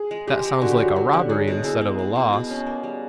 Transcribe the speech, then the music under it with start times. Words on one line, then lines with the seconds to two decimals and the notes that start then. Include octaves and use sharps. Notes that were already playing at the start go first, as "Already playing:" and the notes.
"That sounds like a robbery instead of a loss."
Already playing: G#4
0.11 G#3
0.27 G#3 G4
0.45 G#3
0.62 D3 F#4
0.71 G4
0.79 F#3 F#4
0.96 F#3
1.13 D3
1.29 F#3 G#4
1.48 B2
1.64 E4 G#4
1.81 B3
1.99 B2
2.16 B2
2.33 B2
2.50 C#4
2.66 A#3
2.84 G3